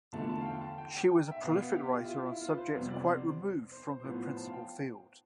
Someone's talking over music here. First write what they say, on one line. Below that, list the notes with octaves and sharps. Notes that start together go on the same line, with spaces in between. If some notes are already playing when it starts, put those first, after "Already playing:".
She was a prolific writer on subjects quite removed from her principal field.
E2 D3 F3 A3 A5
A5
F5
G5
A5
G5
G5
E5
B2 B3 F5
G4
F4
E4
F4
E4
F4
B4
C5
F2 C3 G3 B3
D5
C5
C5
C5
C5
A2 F3 B3 B4
C5
A5
F5
G5